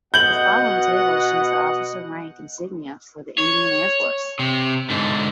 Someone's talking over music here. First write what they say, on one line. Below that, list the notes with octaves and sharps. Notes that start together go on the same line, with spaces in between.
The following table shows the officer rank insignia for the Indian Air Force.
B2 D#5 F#5 G6 F#7
C#5
C3
G#2 D3